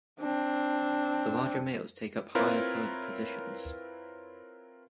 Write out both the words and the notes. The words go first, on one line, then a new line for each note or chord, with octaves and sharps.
The larger males take up higher perch positions.
C4 D4
C4 E4 F4 A#4 B4 C#5